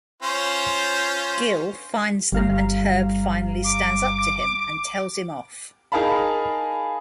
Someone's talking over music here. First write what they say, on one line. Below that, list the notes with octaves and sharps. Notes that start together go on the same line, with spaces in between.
Gil finds them and Herb finally stands up to him and tells him off.
C#4 F4 C5
G1 G3 F5 A#5
D6
D#4 G#4 A#4 F5 A5 B5